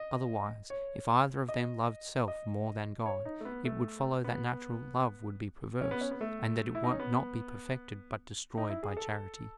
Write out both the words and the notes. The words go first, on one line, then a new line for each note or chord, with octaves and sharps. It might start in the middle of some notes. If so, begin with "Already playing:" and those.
Otherwise, if either of them loved self more than God, it would follow that natural love would be perverse, and that it would not be perfected but destroyed by charity.
Already playing: D#5
C#5
D#5
D#5
C#5
D#4
A3
B3
A3
B3
C#4
B3
C#4
B3
A3
E4
D#4
C#4
B3
D#4
E4
G#4
A4